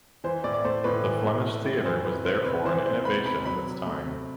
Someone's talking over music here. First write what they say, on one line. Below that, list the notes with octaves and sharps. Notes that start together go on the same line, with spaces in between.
The Flemish theatre was therefore an innovation of its time.
E3 C5
A2 D5
D5
A3 C5
A2 B4
E3
A2
A3
A2
E3 C5
C3 B4
B3 C5
C3 B4
E3 C5
C3 C5
B3 B5
C3 B5
F#3 B5
C3
A3
C3